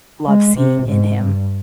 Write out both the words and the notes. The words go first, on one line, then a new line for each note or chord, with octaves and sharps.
love seeing in him.
G#3
C3
G#2
G2